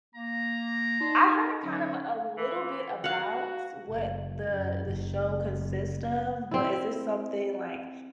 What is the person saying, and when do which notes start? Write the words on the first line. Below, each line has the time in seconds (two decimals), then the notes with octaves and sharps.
I heard kind of a little bit about what the the show consists of, but is this something like,
0.15 A#3 A#5
1.00 D#4 D5 A5 C6
1.32 C4 G4 A#4
1.63 D3 F#3 C#4
2.37 E3
3.04 F#4 F5 F#5
3.91 F#1
4.49 F#2
4.90 F#1
6.51 C4 E4